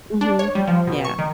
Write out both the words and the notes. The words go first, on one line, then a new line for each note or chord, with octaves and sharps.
Mhm. Yeah.
D4
C#5
G3
F3
B2
C#6
D#3